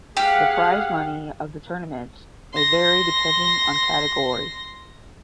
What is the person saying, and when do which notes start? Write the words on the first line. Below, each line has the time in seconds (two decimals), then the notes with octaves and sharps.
The prize money of the tournaments may vary depending on category.
0.17 G4 G#4 F5 F#5
2.53 C6 A#6